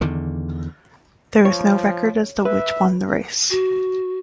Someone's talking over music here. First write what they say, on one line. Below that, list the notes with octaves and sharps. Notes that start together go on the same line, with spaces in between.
There is no record as to which won the race.
E2 D3 D#3
F3 C#5
B4 E5
F#4